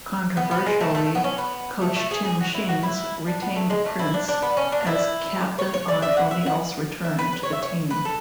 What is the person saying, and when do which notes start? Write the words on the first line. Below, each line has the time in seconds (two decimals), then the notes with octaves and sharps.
Controversially, coach Tim Sheens retained Prince as captain on O'Neill's return to the team.
0.37 B3
0.51 B3
0.66 G#3
0.81 A3
0.95 A3
1.05 A3
1.15 B3
1.24 C#4
1.38 B3
1.81 A3
1.96 A3
2.11 G#4
2.25 G#4
2.41 F#4
2.54 E4
2.69 F#4
2.83 E4
3.27 D4
3.42 B3
3.56 A3
3.70 G#3
3.85 A3
3.99 E4
4.14 D4
4.28 D4
4.42 B3
4.57 C#4
4.72 D4
4.87 E4
5.58 C#5
5.74 C#5
5.88 D5
6.02 E5
6.17 F#5
6.31 E5
6.46 F#5
7.04 E5
7.19 B4
7.33 B4
7.43 C#5
7.53 E5
7.62 C#5
7.90 B4
8.05 A4